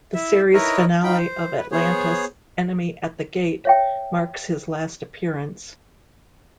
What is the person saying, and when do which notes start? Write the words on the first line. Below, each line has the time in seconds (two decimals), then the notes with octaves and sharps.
The series finale of "Atlantis", "Enemy at the Gate", marks his last appearance.
0.14 E4 E5
0.54 D#4 E4 A#4 B4 C#5 D#5
1.04 D#4 F4 G5 B5
1.17 C5
1.57 B4
1.72 B3 G#4 C5 C#5
3.65 C#5 E5 G5